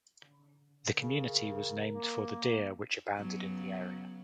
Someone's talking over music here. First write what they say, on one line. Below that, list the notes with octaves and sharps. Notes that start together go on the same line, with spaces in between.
The community was named for the deer which abounded in the area.
C#3 A#4
A#3
C#3 F#3 B3